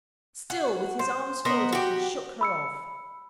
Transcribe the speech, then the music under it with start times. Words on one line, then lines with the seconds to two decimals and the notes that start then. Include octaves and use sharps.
Still, with his arms folded, he shook her off.
0.50 F#4
0.99 C5
1.45 B3 A#4 C5 D#5
1.73 F#4 G4
2.41 B5 E6 C#7